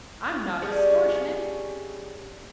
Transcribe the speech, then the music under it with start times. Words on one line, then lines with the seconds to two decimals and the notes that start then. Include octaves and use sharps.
I'm not extortionate.
0.62 G3 G#3 C#4 D4